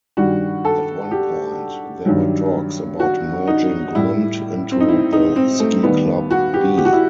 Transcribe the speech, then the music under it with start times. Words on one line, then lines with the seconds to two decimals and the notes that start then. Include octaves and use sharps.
At one point, there were talks about merging Glimt into the Ski Club B.
0.17 G2 D#3 G3 F#4
0.65 A4
1.11 G4
2.05 G2 D#3 F#3
3.00 F#4
3.47 D#4
3.95 A2 G3 E4
4.72 C4
4.80 D#4
4.88 E4
5.12 D#4
5.36 C4
5.60 A3
5.83 D#2 D#3 G3 B3
6.31 F#4
6.54 G4
6.78 G4
6.85 F#4
6.93 E4